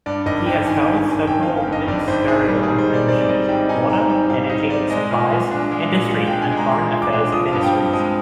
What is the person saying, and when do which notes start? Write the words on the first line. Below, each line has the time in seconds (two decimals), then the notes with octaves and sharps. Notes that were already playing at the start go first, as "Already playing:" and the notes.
He has held several ministerial positions; water, energy, supplies, industry and foreign affairs ministries.
0.06 G2 D5
0.26 G#1 D#5
0.46 G#1 G5
0.67 D#3 G#5
0.82 G2 G5
0.97 G#5
1.07 G#1 G#5
1.27 G#1 G5
1.43 D#3 F5
1.57 F5
1.68 G2 D#5
1.88 G#1 D5
2.08 G#1 C5
2.28 D#3 G#4
2.48 G3 G#4
2.63 G#4
2.68 G#2
2.79 C5
2.89 D#4
2.94 D5
3.08 C4 D5
3.21 D5
3.29 G3 D#5
3.49 G#2 G5
3.69 D#4 G#5
3.90 C4 A#5
4.10 G3 G5
4.30 G#2 F5
4.50 D#4 D#5
4.70 C4 D5
4.90 G#3 D#5
5.11 A#2
5.31 F4
5.51 D4
5.71 G#3
5.92 A#2
6.11 F4 F5
6.27 D4 G5
6.42 G#5
6.52 G#3
6.57 A#5
6.72 A#2 C6
6.92 F4
7.02 D6
7.12 D4
7.32 F3 D#6
7.48 G2 F5
7.63 G5
7.73 C4
7.93 G#3 D#6